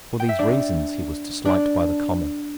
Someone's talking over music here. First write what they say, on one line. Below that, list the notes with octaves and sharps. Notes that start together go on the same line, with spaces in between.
For these reasons he was disliked by the Commons.
G5
E5
D4 D5
D4 D5